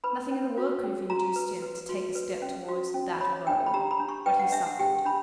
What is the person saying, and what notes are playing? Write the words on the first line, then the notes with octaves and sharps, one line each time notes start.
Nothing in the world could have induced him to take a step towards "that rogue"; but he suffered.
B4 B5
C#4
F#4
C#4
F#4 A#5
B4
B4
F#4
B4
C#4
F#4
C#4
C#5 B5
D4 G5
B5
G4 A#5
B5
D4
C#6
B4 G5
F#5
D4 E5
F#5
G4 G5
D4 B5